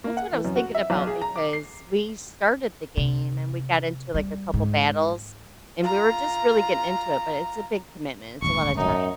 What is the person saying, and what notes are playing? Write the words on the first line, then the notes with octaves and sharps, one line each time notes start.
That's what I was thinking about because we started the game, and we got into, like, a couple battles, and we were just really getting into it, but it's a big commitment, it's a lotta time.
A#3
F#5
E3
F#2
F#4
E5
B1
G#4
A#5
D6
C7
C3
G3
G#2
F4 A#5
D#1 G#1 D2 C#6
F#2 D#4